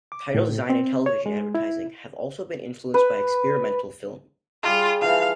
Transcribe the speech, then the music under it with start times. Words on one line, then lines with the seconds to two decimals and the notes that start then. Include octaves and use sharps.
Title design and television advertising have also been influenced by experimental film.
0.12 D6
0.35 A2
0.70 C4
1.06 C#5
1.26 G#3
1.55 E4
2.94 B4
4.63 G3 F4 G#4
5.01 E3 F3 F5